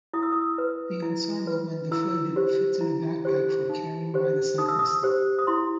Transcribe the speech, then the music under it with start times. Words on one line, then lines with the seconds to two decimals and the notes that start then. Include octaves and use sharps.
The ensemble, when deflated, fits in a backpack for carrying by the cyclist.
0.13 E4 D#6
0.23 E6
0.32 D#6
0.58 B4
1.03 E4
1.47 B4
1.91 E4 E6
2.36 G4 C5
2.81 E4
3.25 G4 C5
3.70 D#4
4.14 G4 C5
4.58 D#4 D#6
4.69 E6
4.79 D#6
5.03 G4 C5
5.39 D#6
5.47 E4 C6